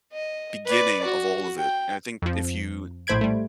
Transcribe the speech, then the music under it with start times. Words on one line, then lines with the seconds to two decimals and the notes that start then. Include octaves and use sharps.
beginning of all of it. And I think if you
0.13 D#5
0.66 B4 D5
1.04 F#4
1.58 G5
2.22 F2 F3
3.07 A#1 A2 C5 B5 G#6 D7
3.21 G3 A3